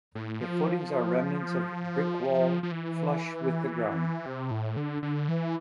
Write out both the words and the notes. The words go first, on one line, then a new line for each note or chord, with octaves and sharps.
The footings are remnants of brick wall flush with the ground.
A2
F3
F3
E3
C3
A2
D3
D3
E3